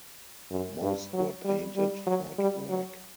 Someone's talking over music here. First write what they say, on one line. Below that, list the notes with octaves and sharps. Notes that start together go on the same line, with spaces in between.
Most were painted Ford black.
F#2
G2
F#3
G3
G3
F#3
G3
F#3